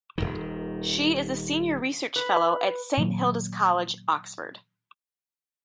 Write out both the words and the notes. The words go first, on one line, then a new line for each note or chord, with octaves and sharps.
She is a Senior Research Fellow at Saint Hilda's College, Oxford.
D#1 C2 D#3
B4
A#2 D#3 F#3 A#3